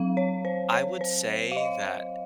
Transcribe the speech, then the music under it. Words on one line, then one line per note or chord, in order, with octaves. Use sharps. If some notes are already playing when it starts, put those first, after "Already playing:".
I would say that
Already playing: F#3 C4 F5
C#5
C5
C#5
C5
F5
D#5